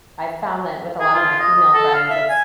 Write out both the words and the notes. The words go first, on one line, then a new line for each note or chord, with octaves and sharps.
I've found that with a lot of my female friends, it's
G#4
F4
D#5
A4
F5
E5
G#5